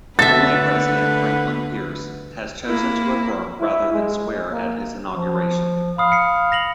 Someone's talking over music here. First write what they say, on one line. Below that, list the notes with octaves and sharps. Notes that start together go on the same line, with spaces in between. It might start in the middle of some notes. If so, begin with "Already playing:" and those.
Only President Franklin Pierce has chosen to affirm rather than swear at his inauguration.
D3 A3 A4 B4 E5 F#5 A6
A#3 E4
E4
G#3
A#3
F3
F5 B5 D#6
C7 C#7
A#6 F7 F#7